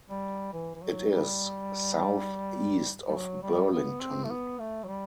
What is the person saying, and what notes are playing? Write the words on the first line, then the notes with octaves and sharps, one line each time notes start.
It is southeast of Burlington.
G3
E3
E3
F#3
G3
G3
F#3
G3
B3
C4
A3
B3
A3
F#3
G3